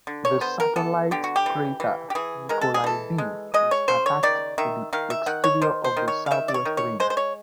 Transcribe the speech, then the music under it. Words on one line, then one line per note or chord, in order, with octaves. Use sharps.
The satellite crater Nicolai B is attached to the exterior of the southwest rim.
D3
C#5
B3 C5
A#4
B3 A4
D3 G4
F#4
G4
E3
E3
G4
E3 G#4
G#3 A#4
A4
G#4
E3 A4
G#3
G#3 D#5
C#5
C#3 C5
C#5
D#3 D5
D#3 E5
D#3 F5
E5
D#3 F#5
C#5
D#3 C5
C5
D#3
C#5
F5
D#3 E5
D5
C#5
D#3
C#5
G#3 C5
C5
C#5